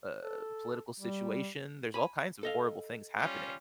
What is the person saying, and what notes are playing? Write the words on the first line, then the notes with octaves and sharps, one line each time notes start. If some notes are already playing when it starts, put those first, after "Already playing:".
uh, political situation, there's all kinds of horrible things happening.
A4
G3
G#5 B5
A4 D#5 F5
G3 C#4 F4